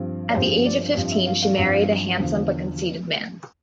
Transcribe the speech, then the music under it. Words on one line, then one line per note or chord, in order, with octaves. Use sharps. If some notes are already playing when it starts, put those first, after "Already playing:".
At the age of fifteen, she married a handsome but conceited man.
Already playing: G2 F3 C4
D5
G2 F3 C4 C5
D5
G2 F3 C4
E5
F5
F5
G2 F3 C4
E2 D3 F3